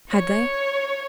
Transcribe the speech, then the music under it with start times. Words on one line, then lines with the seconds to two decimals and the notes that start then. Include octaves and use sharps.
Had they?
0.10 C#5